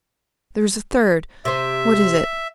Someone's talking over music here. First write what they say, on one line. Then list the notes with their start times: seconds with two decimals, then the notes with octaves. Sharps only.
There is a third. What is it?
1.45 C3 C4 E5